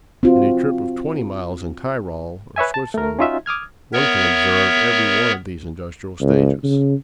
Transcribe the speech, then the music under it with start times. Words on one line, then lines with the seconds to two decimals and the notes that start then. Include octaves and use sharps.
In a trip of twenty miles in Tyrol or Switzerland one can observe every one of these industrial stages.
0.23 C4 F4 F#4
2.56 B4 C#5 E5 G#5
2.74 A5
2.94 A3 A#4
3.19 C#4 D#4 F4 F#4 E5
3.46 D6 D#6 F6 G#6
3.93 B3 A#4 C#5 E5
6.21 C#2
6.63 C#3